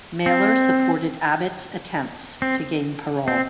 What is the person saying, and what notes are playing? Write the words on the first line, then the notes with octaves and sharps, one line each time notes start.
Mailer supported Abbott's attempts to gain parole.
C4
C4
C4